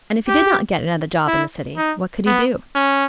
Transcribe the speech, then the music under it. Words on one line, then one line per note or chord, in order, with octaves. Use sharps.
And if he did not get another job in the City, what could he do?
G4
E4
D#4
B3
C#4